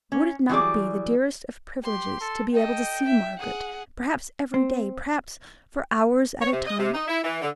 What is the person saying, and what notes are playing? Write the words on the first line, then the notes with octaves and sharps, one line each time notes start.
Would it not be the dearest of privileges to be able to see Margaret, perhaps every day, perhaps for hours at a time?
C#4
E3 F#3 G3 G#4 D5
G4 C6
A4
A4 D#5 G5
E5
G#4 F#5
C4
C#5
C3
D#5
C3
D#4
E4
E3
D3